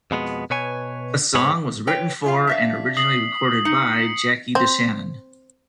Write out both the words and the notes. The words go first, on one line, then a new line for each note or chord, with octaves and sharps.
The song was written for and originally recorded by Jackie DeShannon.
F2 B2 G#3 B3
B2 B4 C#5 G#5
C2 G#2 G#3 B4 C#5 B5
B4 C#5 G5
F#2 F4 F5
D4 E5 F5 B6
D#6 C7 F#7
D#4 C#7
C4